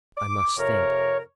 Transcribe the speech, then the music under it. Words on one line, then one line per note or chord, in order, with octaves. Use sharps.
I must think.
D6
F2 C3 A#4 C#5